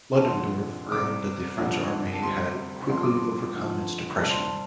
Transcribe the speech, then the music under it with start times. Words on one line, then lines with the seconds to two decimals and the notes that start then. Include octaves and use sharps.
Ludendorff wrote that the French army had "quickly overcome its depression".
0.16 A5
0.25 F1 F2 D3 C6
0.91 C2 C3 G3 D6
1.57 F1 F2 D3 G3
2.13 A5
2.23 D2 C3 G3 C6
2.89 A1 G2 F3 A3 C6
3.03 D6
3.16 C6
3.56 F2 D3 F3 A3
4.21 C2 C3 G3 A5
4.31 C6
4.40 A5